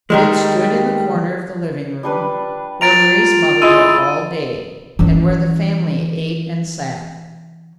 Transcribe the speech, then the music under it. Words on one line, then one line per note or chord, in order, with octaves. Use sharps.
It stood in the corner of the living-room, where Mari's mother worked all day, and where the family ate and sat.
D#3 G3 G#3
G3 D4 B4
F4 A#5 A6 D7 F7
G#3 E4 F4 E6 D#7
E3 C#4